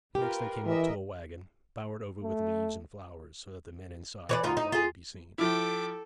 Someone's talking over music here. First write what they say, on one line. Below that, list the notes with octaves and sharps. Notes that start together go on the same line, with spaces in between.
Next they came up to a waggon, bowered over with leaves and flowers, so that the men inside could hardly be seen.
F4 G4 A#4 B4
E3 A#4 D#5 E5
A3
E3 C#5 D5
D2 D#4 F4
D#4
F4 G#4
F3 E4 A4 G5 D6